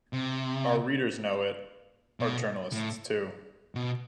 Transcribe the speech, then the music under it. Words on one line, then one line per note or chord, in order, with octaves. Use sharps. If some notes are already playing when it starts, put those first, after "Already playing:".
Our readers know it, our journalists too.
C3
B2
A2
B2